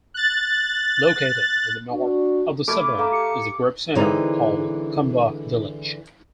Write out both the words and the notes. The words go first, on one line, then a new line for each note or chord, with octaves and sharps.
Located in the north of the suburb is the group centre called Kambah Village.
F#6 A6
D4 F#4
A3 B5 D6 F6 G#6
A4 F5 A#5
G4 C#7
D3 E3 G#3 C4 D#4